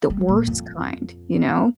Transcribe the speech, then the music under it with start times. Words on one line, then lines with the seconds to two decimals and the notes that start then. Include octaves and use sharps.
The worst kind, you know?
0.10 G3
0.28 A#2
0.47 F2